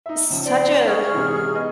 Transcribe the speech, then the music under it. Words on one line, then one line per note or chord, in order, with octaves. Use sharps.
such a
D#4 E5
C#2 F3 E6
C5 D5
G#4 D5 F#5 C#6 F6
G#2 C3 E3
B3 D#5